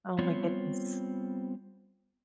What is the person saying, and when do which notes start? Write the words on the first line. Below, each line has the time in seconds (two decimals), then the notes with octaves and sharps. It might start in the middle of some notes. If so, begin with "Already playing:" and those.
Oh my goodness.
0.18 G3 B3 C4 F4 C#5